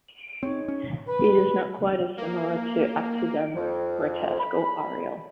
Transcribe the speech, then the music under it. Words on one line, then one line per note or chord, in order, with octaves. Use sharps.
It is not quite as similar to Akzidenz Grotesk or Arial.
C4 D#4 G#4 C#5
C#4
B4
A#3
F2
B5